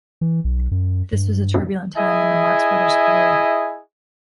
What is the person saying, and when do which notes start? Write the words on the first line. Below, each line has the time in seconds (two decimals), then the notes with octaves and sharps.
This was a turbulent time in the Marx Brothers' career.
0.21 E3
0.44 B1
0.71 F#2
1.13 G2
1.97 E4 G#4 D#5 E5 G#5